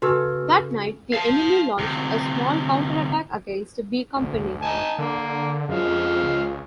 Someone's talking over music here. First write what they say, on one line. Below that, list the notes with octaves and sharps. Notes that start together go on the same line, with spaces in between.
That night the enemy launched a small counterattack against "B" Company.
C#3 F#4 A4 B4 E6 F6
F5 A5
D2 C3
D2
D#4 G#5 A5
D3 A#3
F#2 F3 G#3 F5
F2
C#2